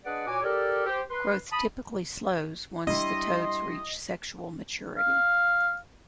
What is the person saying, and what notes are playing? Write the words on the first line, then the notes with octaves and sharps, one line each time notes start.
Growth typically slows once the toads reach sexual maturity.
D4 G#4 B4 D5 D#5 F#5
A#2 F#4 C#5 G#5 D6
G4 A4 A#4 D5
G4 C5
B4 C6
A5 B5 D#6
G3 D4 E4 D#5 C6
F5